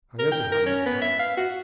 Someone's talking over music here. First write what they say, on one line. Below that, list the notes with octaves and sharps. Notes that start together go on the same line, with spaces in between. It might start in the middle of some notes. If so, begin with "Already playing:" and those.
"I am behind my time."
A#4
G5
A#4
C#4
B3
E5
F5
F#4